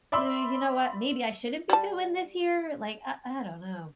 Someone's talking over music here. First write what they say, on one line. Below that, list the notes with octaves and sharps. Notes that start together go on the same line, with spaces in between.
uh, "You know what? Maybe I shouldn't be doing this here?" Like, I I don't know.
D5 E5 B5 C6 E6
G3 A5